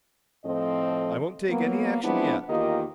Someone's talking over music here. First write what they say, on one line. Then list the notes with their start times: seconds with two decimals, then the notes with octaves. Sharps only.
I won't take any action yet.
0.45 A2 F3 C4 A4 D#5
1.49 F#3 A#3 B3
2.03 F3 G#3 B3 C4 D4 E4
2.49 E2 D#3 A#3 F4 G4 D#5